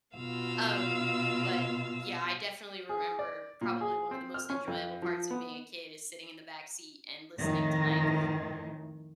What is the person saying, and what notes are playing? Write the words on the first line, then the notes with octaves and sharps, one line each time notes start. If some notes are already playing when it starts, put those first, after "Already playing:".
Um, but yeah, I definitely remember probably one of the most enjoyable parts of being a kid is sitting in the backseat and listening to like,
B2 F4 F5 E6
G#4
D5
A#2
G#4
C4
F6
C#4
F2
F3
B3
F2 A2 D#3 E3